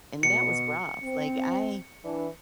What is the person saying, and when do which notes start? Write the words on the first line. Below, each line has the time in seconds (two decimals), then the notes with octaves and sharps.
and that was rough, like, I
0.23 B2 C#7
1.03 C4
2.05 E3 D4